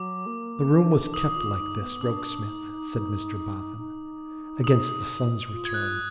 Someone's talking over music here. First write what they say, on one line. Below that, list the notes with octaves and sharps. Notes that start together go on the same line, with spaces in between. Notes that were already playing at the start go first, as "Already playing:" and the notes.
'The room was kept like this, Rokesmith,' said Mr Boffin, 'against the son's return.
Already playing: F#3 D6
A#3
D4
D#4 D#6
F4
D#4
B3
D4 D#6
D#4
D#4
D#6
F4
G#6
F#6